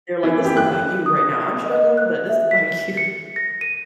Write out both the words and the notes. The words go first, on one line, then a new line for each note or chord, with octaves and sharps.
They're like, "This is about you right now. I'm struggling, but this is about you."
E3
G4
F#6
D#6
D#5
F#6
E5
B6
C#7
A#6
D#7